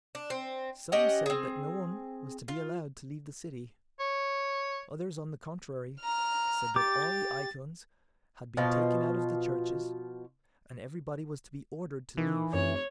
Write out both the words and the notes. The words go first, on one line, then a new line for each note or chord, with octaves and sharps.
Some said that no one was to be allowed to leave the city, others on the contrary said that all the icons had been taken out of the churches and everybody was to be ordered to leave.
D4
C4
C#4 G4 D#5 F#5
C4 G#4
F4
C#5
A#5 F6
G4 D6 A6
B2 F3 F4
D#3 E3
F1 F#2 C#5